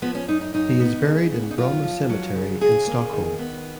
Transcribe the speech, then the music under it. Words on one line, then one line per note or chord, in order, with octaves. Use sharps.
He is buried in Bromma Cemetery in Stockholm.
F3 B3
C#4
F#2 D#4
D#4
F#2 D#4
B3
C#3
B3
D#4
F#2 F4
F3
F#3
C#3
C#3 G#4
A#3
D#3
B3